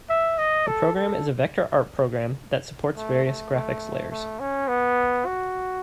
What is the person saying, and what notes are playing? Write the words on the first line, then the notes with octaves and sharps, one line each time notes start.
The program is a vector art program that supports various graphics layers.
E5
D#5
A4
A4
A3
A3
A3
A3
C#4
B3
F#4